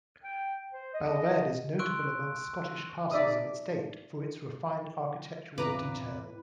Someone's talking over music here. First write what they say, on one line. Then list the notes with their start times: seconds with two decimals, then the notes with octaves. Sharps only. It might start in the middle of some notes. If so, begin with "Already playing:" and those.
Balvaird is notable among Scottish castles of its date for its refined architectural detail.
0.24 G5
0.73 C5
0.94 D#5
1.79 C6 C#6 E6 F#6 D7
3.11 D#4 D5 E5 D#6
5.58 E2 A2 C3 F4 B4 A#5 D6